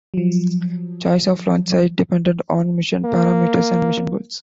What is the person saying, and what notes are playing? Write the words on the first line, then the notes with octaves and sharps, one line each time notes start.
Choice of launch site depended on mission parameters and mission goals.
F3 F#3
A#3